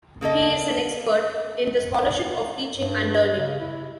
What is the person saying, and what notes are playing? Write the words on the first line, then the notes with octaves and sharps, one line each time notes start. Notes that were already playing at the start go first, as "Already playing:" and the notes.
He is an expert in the Scholarship of Teaching and Learning.
C#3 A#3 A4 D#5
G2
C#3
E4